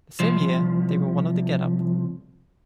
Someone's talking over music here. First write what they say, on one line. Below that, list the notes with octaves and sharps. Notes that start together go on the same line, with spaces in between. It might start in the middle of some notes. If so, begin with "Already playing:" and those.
The same year, they were one of the Getup.
C2 F3